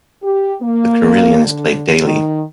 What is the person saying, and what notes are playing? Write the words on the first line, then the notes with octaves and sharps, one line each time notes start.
The carillon is played daily.
G4
A#3
D3
D#3